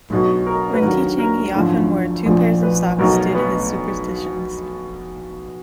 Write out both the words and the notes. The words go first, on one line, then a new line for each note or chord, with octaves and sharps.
When teaching he often wore two pairs of socks due to his superstitions.
B1 B2 F#3
A#4
B4
D#2 D3 F#3 A#4
A#4
G#1 F#2 D3 F3
A#1 A#2 F3
B4
B1 B2 F#3 A#4
B3